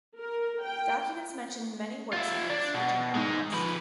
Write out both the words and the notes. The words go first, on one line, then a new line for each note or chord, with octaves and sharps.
Documents mention many works of his which are now lost.
A#4
G5
F4 E5
D4
B2
G#3 D#4
F3 B4